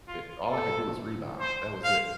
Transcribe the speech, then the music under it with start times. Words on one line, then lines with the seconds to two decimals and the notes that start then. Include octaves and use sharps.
Eh, all I could do was rebound. That was it.
0.08 F4
0.53 A4
1.41 C5
1.84 F5